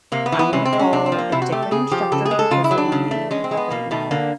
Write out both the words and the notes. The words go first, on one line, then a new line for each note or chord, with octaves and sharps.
I'm gonna call a different instructor because the one that you have right now
C3 A#3
B3
E3
B3
C3 C#4
C4
G#3
C#4
C3 D4
C4
F3
A#3
C3 E4
F#4
A3 G4
A4
C#3 G#4
F3 G4
C#3 A4
G#4
G#3
A4
C#3 F4
E4
F#3
D4
C#3
A3
G#3 C#4
C4
G#3
B3
B2 A#3
B2 A3
D3 A#3